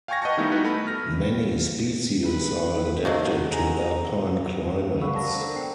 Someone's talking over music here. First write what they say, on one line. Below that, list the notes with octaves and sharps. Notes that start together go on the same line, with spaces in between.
Many species are adapted to alpine climates.
F5 G5 G#5 C#6 G#6 A#6
B4 D#5 F#5 G5 A5 C#6
D#3 G3 A3 B3 D#4 E4
D#4 E4 F#4 B4
A3 B5
F6 A#6
B4
D#3 F#3 A3 A#3 A4 C5 F#5
E2 G#4 G#5 A#5
F5 F#5 B5 C#6 E6
A#4 D5 A5 A#6
C5
D4 A4 A#4 D5
B3 C5 G5 C7